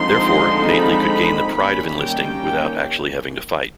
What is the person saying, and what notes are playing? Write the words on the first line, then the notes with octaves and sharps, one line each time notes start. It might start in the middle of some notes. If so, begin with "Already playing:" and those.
Therefore, Nately could gain the pride of enlisting without actually having to fight.
Already playing: D3 F3 G#3 C4 D#4 C6
B5
D#3 G3 A#3 C#4 B5
G5